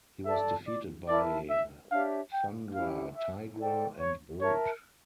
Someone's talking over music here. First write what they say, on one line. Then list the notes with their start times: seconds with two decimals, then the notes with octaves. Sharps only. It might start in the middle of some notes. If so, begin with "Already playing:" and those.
He was defeated by Thundra, Tigra, and Brute.
0.25 A4 D5 E5 A5
0.67 D5
1.08 E4 A#4 D5 E5 A5
1.49 E5
1.91 D4 G4 C#5 E5 F5
2.33 G5
2.74 C#4 E4 G4 F5
3.17 E5
3.58 A4 D5 G5
3.99 C#5
4.41 A#4 C#5 E5 A5